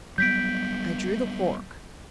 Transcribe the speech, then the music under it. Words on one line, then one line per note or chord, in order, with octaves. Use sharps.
I drew the cork.
F#3 G3 B3 G6 B6 D7